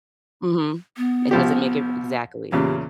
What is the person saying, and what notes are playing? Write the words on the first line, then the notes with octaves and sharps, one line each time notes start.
Mhm. It doesn't make it Exactly.
B3
C2 F3 G4
E2 A#2 C#3 G4